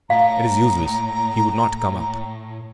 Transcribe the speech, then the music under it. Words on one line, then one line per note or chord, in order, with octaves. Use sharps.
"It is useless; he would not come up."
A2 F5 A#5